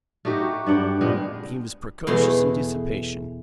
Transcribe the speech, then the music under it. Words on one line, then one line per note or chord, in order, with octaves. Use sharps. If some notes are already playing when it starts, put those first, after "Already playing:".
He was precocious in dissipation.
A3 D#4 F#4 G4
G2 D4 F#5 G5
A#2 G#3 B3 C4
E2 B2 A3 G#4 C6